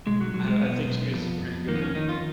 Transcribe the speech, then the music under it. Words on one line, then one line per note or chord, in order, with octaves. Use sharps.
I I think she was, uh, pretty good in
B1 G#3
F#3
B1 F#3
G#3
B1 B3
B1
F2
F2
D#3 A#3
B3
C#4
D#3 D#4
F4